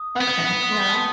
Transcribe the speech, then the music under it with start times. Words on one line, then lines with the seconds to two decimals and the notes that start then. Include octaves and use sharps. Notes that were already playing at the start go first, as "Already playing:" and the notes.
Okay, yeah.
Already playing: D#6
0.21 B3
0.63 D#6
0.72 C6
0.89 A5